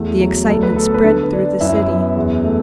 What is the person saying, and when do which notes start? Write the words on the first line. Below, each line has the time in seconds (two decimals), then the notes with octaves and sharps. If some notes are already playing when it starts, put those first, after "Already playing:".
The excitement spread through the city.
Already playing: E2 A3
0.21 F#3
0.48 D2 A4
0.63 B4
0.76 B3 A4
0.94 B4
1.04 D3 A4
1.23 B4
1.33 D4
1.60 F#2 E4 E5
1.88 B3
2.16 E2
2.44 A3